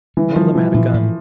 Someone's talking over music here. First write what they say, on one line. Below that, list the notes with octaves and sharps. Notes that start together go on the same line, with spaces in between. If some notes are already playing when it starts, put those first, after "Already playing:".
One of them had a gun.
E3 G3
F3 G3
E3 G3
A#2 E3
A2